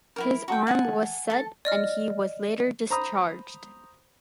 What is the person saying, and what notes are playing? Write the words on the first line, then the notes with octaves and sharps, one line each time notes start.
His arm was set and he was later discharged.
E4 F#4 A#4
F#4 G5
F#5 G#5 A5
A4 A5
D5 D#5 F6
C5 A#5 B5 D#6